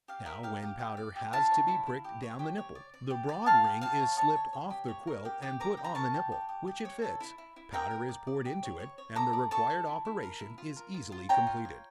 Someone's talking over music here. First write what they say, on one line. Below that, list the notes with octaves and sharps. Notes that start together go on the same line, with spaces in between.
Now, when powder has to be pricked down the nipple, the "broad ring" is slipped off the quill and put on the nipple, which it fits; powder is poured into it, and the required operation is easily completed.
G4 F5
A#4 E5
G4 F5
G4
G4
D5
G4
E4 F5 A5
C#5
E4
E4
G4
C#5
G4
C#5
D5
D5
G4
D5
A#4 F5 A5
G4
G4 F5 A5
C#5
C#5 A5 C#6
C#5
C#5
G4
C#5
A#4
G4
G4
A#4 A#5 D6
G4
A#5
A#4 A5 C#6
G4
G4
G4
G4
C#5
A4
E4
E4
E4
A#4 G5 A#5
A#4
D5
D5
G4
C#5
C#5
C#5
A4 A#5 D6
D5
A4 A5 C#6
A4
E4
E4
A#4
E4
F4
A#4
F4
F4
C#5 G5 A#5
F4
C#5